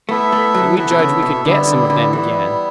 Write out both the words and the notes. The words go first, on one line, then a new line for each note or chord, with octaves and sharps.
So we judged we could get some of them again.
A3 B3 E4 A4 E5
A3
F#3
E3 B3 E4 A4 E5
B2
C#3
B2
D3 G3 B3 E4
D3
D3
E3 G3 B3 E4